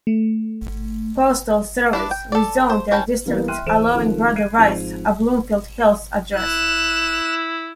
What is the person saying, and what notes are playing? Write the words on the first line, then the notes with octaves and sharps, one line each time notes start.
Postal Service rezoned their districts allowing Brother Rice a "Bloomfield Hills" address.
A3
D4 E4 B4 D5
G5
A4 D5
C5
E3 C#4 G5 A5 B5
E3 G3 A#3 B3
E5 G5 C6 F6 F#6 D#7
E2 A4 C5 D7 E7
D#3 F3 C4 A4 A#4
F#6 G#6 C7 D7 D#7
G#2 F3 C4 F7
E4 F#6 E7